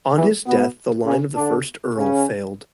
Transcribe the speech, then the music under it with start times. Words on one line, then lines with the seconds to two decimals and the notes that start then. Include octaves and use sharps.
On his death the line of the first Earl failed.
0.16 E2 E3
0.45 B2 B3
1.05 C#3 C#4
1.35 D3 D4
1.95 C#3 C#4